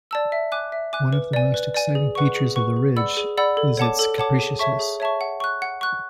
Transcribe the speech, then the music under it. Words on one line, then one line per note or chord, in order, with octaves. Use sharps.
One of the most exciting features of the Ridge is its capriciousness.
D5 A5 E6
E5
G#5 D6 F#6
E5
G#5 D6 F#6
B4
D5 G#5
B4
D5 G#5
G#4
B4 F#5 C#6
G#4
B4 F#5 C#6
G#4
D5 F#5 B5 E6
G#4
D5 F#5 B5 E6
A4
C#5 F#5 A5 D6
A4
C#5 F#5 A5 D6
G#4
C#5 E5 A5 C#6
G#4
C#5 E5 A5 C#6
F#5
C#6 F#6
F#5
C#6 F#6